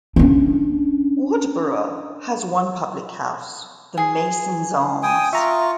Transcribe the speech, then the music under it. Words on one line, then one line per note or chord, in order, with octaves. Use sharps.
Wadborough has one public house, the Masons Arms.
C#4 D4
G#4
G5 G#5 D#6
F4 E5 A#5 C#6